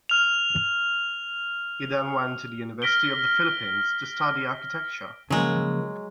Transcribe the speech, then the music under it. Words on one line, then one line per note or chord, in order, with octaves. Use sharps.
He then went to the University of the Philippines to study Architecture.
F6 F7
F6 A#6 B6 D7 G7
C#3 F3 F#3 G#3 A#3